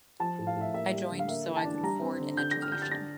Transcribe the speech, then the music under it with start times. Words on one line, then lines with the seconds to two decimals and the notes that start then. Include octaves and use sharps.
I joined so I could afford an education.
0.20 F3 A5
0.39 A2
0.47 F5
0.56 A2 E5
0.74 A#3 E5
0.92 G3
1.11 D3
1.19 F5
1.28 A#3 E5
1.47 E3
1.57 A5
1.64 D4
1.83 G3 A#5
2.01 C4
2.20 D3
2.37 D3 G6
2.51 D3 A#6
2.62 F6
2.72 D3 G6
2.82 A6
2.91 D4 A#6